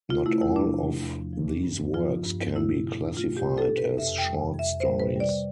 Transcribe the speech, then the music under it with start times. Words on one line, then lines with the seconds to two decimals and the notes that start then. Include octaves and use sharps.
Not all of these works can be classified as short stories.
0.10 C3 F4
0.26 A3 E4
0.40 E2 E4
0.56 F3 D4
0.72 C3
0.87 A3
1.02 E2
1.18 F3
1.33 F3
1.48 D4
1.63 G2
1.79 B3
1.93 F3 F4
2.09 D4
2.24 G2
2.40 B3
2.55 A3 E4
2.71 B2
2.85 B2
3.01 D4
3.17 A3 F4
3.31 B2
3.37 G4
3.47 B2
3.58 A4
3.62 D4
3.77 C3 B4
3.94 F2 E5
4.08 F2
4.18 G5
4.24 G3
4.39 C3
4.54 F2 E5
4.70 F2
4.80 C5
4.85 G3
5.00 C3 B4
5.16 G3 D5